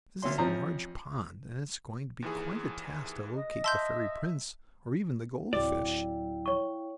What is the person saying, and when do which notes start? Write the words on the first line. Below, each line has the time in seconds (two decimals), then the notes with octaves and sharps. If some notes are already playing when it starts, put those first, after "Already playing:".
"This is a large pond, and it's going to be quite a task to locate the fairy prince, or even the gold fish."
0.22 D2 A#3 C#4 C6
0.38 A1 F2 C#4 C5 A#5
2.22 D#2 E3 G#4
3.32 D#5
3.64 E5 A5 C6 E6 G6
5.53 D1 F#3 E4 D5 F5 G5
6.46 C#5 C#6